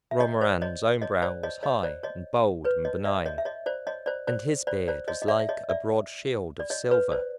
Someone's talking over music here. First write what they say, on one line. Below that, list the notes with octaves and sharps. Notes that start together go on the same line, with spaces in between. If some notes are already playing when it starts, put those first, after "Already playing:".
Romarin's own brow was high and bald and benign, and his beard was like a broad shield of silver.
E5
C#5 D#5
C5 D5
C#5 D#5
C#5 D#5
C5 D5
C#5 D#5
C#5 D#5
C5 D5
C#5 D#5
B4 C#5
C#5 D#5
D5 E5
C#5 D#5
E5
C#5 D#5
C5 D5
C#5 D#5
C5 D5
C5 D5
C5 D5
C5 D5
C#5 D#5
D#5
D5 E5
E5
C#5 D#5
D5 E5
D5
C#5 D#5
B4 C#5
C5 D5